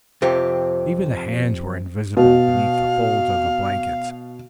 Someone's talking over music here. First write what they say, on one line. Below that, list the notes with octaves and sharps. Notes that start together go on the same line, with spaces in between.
Even the hands were invisible beneath the folds of the blankets.
F2 C3 C4 G4
B2 F5